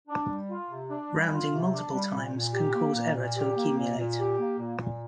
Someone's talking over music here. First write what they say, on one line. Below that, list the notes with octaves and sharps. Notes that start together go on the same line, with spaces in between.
Rounding multiple times can cause error to accumulate.
D4
G3
F4
C3
D4
G3
F4
C3
D4
G3
A#2
A#2
G4
A#3
A#2
A#2
G4
A#3
A#2
A#2
G4
A#3
A#2
A#2